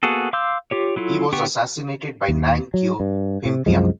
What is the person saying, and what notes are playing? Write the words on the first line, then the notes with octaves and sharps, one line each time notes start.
He was assassinated by Nang Keo Phimpha.
A#3 B3 F#4 G#4 A4
F5 C6 D6 E6 G6
F4 G4 C#5
F#3 E4 F4 A4
D3 B3 G4 G5 C#6
D#2
F#3
G2
C3
C2 F#2 F3 G#3